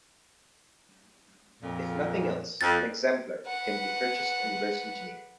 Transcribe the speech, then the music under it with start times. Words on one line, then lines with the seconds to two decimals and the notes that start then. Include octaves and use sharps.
If nothing else, an exemplar can be purchased and reverse engineered.
1.62 F2 A#2
2.61 F2 A6
3.47 B4 F#5